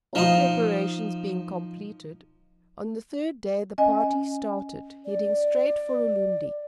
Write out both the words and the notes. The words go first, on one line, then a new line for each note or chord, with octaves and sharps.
All preparations being completed, on the third day the party started, heading straight for Ulundi.
F3 D#4
C#4 D#5 G#5
D5